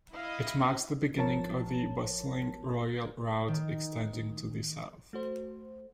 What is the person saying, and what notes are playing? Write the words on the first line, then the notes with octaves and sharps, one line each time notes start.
It marks the beginning of the bustling Royal Route extending to the south.
E4 D#5 F5
G#1 F3 A#4 C#5 A5
D#3
A3 F#4 C5